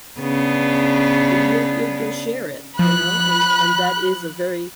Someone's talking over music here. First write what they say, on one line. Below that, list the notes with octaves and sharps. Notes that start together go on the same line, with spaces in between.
And you'll you'll you'll share it, you know? And and that is a very
C#3 B3 D4
F3 B5 F#6